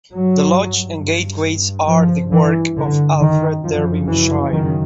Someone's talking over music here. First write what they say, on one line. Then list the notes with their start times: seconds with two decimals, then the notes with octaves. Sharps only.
The lodge and gateways are the work of Alfred Darbyshire.
0.12 G2 F#3
1.88 F3
2.32 E3
2.76 D3
3.20 D#3
3.64 F#2 C#3 F3
4.07 E3
4.52 D#3